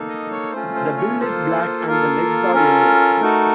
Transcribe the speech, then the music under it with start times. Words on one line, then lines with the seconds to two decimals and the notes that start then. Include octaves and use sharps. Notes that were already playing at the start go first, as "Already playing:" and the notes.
The bill is black and the legs are yellow.
Already playing: A#3 D#4 A4
0.08 D#5
0.31 C#5
0.52 A3 C#4 F4 C5
0.75 C5
0.98 C#5
1.20 A#3 F4 A4 C5
1.87 A#3 F4 A4 A#4
2.54 C#4 F4 A4
3.20 A3 D#4 F#4 A4